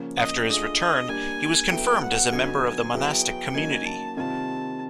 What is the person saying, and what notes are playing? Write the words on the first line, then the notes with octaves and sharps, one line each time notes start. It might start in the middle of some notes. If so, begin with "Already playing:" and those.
After his return, he was confirmed as a member of the monastic community.
Already playing: C#3 F3 A#3 C#4
D#5
A3 D4 F4 G#4 D#5
D#5
G3 A#3 D4 G#5
F#3 B3 E4 A4 G5
F#5
D3 F#3 B3 D#4 F#4 G#5
F#3 B3 E4 G#4 G5
C#3 F#3 A#3 D#4 G#5
A5
C3 D#3 G3 C4 F4 A5